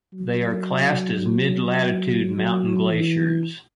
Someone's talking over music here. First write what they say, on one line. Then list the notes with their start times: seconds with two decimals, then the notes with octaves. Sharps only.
They are classed as mid-latitude mountain glaciers.
0.14 F#3
2.36 F#3
2.91 E3